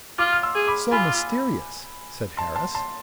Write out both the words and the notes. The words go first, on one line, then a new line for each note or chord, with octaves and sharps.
"So mysterious!" said Harris.
F4 D6 F6
F6
C6 E6
G#4
B5 D6
F4 G#5 B5
A5 C6
A5 C6
A5 C6